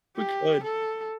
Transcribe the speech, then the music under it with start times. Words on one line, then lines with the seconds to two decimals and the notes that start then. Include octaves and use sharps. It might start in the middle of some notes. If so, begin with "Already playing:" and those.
We could.
0.17 G4
0.63 A4